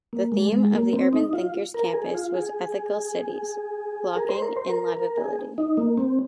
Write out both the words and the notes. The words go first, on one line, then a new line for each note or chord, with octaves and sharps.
The theme of the Urban Thinkers Campus was Ethical Cities: Locking in Liveability.
A#3
G#3
G#3
A#3
C4
D#4
F4
A#4
G#4
F4
G#4
A#4
C5
A#4
C5
A#4
A#4
G#4
D#4
A#3
C4